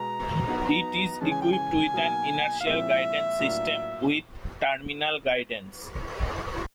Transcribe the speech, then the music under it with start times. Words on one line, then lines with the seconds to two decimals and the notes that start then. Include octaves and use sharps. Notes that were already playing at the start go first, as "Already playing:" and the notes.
It is equipped with an inertial guidance system with terminal guidance.
Already playing: B2 G#3 B3 A#5
0.47 F#3 B3 D#4
1.21 C#3 E3 G#3 C#4 A5
1.31 G#5
1.42 G5
1.53 G#5
1.93 B2 F#3 A#3 D#4
2.61 F5
2.66 A#2 F3 G#3 C4 E4 E5
3.39 A2 F#3 A#3 D4 F4